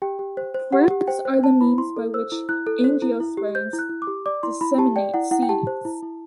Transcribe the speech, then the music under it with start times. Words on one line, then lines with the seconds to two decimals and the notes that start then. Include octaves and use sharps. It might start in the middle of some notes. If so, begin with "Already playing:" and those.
Fruits are the means by which angiosperms disseminate seeds.
0.02 G4 G5
0.19 G4
0.37 C5
0.54 C5
0.72 G4 F#5
0.91 G4
1.08 C5 G5
1.25 C5
1.43 C5 A5
1.61 E4 B5
1.78 E4 C6
1.96 A4
2.14 C5 E6
2.32 E4
2.49 E4 F#6
2.67 A4
2.84 C5
3.02 E4
3.20 E4
3.37 G4
3.55 C5 G6
3.73 E4
3.79 F#6
3.90 E4
4.02 D6
4.07 G4
4.26 D5 D6
4.43 E4 C6
4.61 E4 B5
4.78 G4 A5
4.96 D5 G5
5.14 E4 F#5
5.31 E4 F#5
5.43 G5
5.49 G4 A5
5.67 C5
5.85 E4
6.03 E4